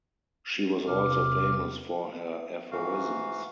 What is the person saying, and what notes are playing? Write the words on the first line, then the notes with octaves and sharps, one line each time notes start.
She was also famous for her aphorisms.
E2 C3 D6 F6
G#2 E3 F#4 F5